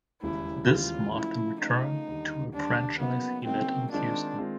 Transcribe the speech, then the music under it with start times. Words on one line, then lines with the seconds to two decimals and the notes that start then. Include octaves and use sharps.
This marked a return to a franchise he led in Houston.
0.22 E1 D#2 C#3 E3 G3 E4
0.68 E1 D#2 C#3 E3 G3 F4
1.15 C#3 F3 A3 E4
1.61 C#3 F3 A3 D#4
2.08 D#2 D3 G3
2.53 D#2 D3 G3 D4
2.99 C#3 F#3 A#3 B3 D#4 F#4
3.46 C#3 F#3 A#3 C4 D#4 F#4
3.92 D#3 G#3 C4 D4 F4
4.38 D#3 G#3 C4 F4